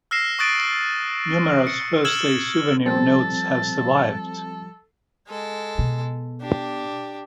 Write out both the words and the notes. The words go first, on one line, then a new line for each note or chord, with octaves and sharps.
Numerous "first day" souvenir notes have survived.
E6 F6 A#6 C7 E7
C#6 D#6 F#6 A6 D7 D#7
C#7
E6 F6 G#6 E7 F#7
F3 G3 C4 A4 A6
G#3 A4
B2
D4 G4